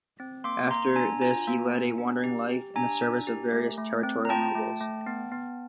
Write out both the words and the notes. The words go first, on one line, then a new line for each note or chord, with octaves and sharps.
After this he led a wandering life in the service of various territorial nobles.
C4
A#3 C6 D6
A#3 A#5 C6
D4 G#5 A#5
F4 G#5 A#5
A#3
A#3
D4
G4
G4
D4 G#5 A#5
D4
G4
A3
A3
C4
A#5
F4 G5 A5
A3
A3
B3
B3